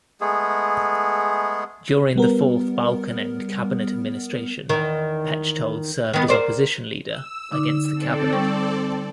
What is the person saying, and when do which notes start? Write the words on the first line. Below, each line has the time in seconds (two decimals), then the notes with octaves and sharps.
During the Fourth Balkenende cabinet administration Pechtold served as opposition leader against the cabinet.
0.21 G#3 A3 B3 G#4
2.16 G3 B3 A#4
4.69 E2 D#3
6.14 D#3 B3
6.29 A#4 C5 D5
7.06 E6
7.51 D3 D#4 D6
7.94 C4 A4 D5
8.33 G3 G5 C#6